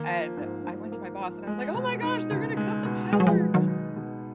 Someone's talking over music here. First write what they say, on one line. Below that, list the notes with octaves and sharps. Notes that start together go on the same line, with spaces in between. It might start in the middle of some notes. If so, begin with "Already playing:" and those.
and I went to my boss and I was like, "Oh my gosh, they're going to cut the power!"
Already playing: D#3 A#3
F3
G#2
G#2
A#3
F3
G#3
B2
D#4
C#2
G#3
B2
G#3 B3
F#3
F3 G#3
G#3
D#3 F#3
D#4
B2